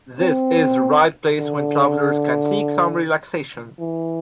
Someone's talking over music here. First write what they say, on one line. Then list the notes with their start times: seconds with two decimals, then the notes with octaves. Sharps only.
This is the right place when travelers can seek some relaxation.
0.19 C4
1.39 D3
3.79 E3